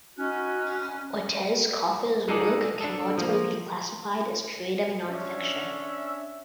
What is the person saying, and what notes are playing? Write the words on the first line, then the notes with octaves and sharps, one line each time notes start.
Ortiz Cofer's work can largely be classified as creative nonfiction.
C#4 D#4 F#4 F#6
G#3 D#4 G#4 A4 D5
D4 A4
F3 A#3
C#4 D4 C#5 E5